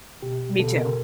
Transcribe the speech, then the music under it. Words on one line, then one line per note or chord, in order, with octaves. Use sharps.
Me too.
B2 G4
B2 A4
A#4